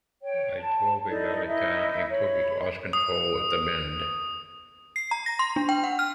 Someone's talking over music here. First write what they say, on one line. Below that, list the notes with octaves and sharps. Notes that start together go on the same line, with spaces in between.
I drove a rally car and quickly lost control at the bend.
C#5 G5
A5
D#4 E4 A4 D5
D#4 E4 D#5 E5
C#5 B5
D#6
C7
A#5
A#6
C6
D4
G5
F#5
F6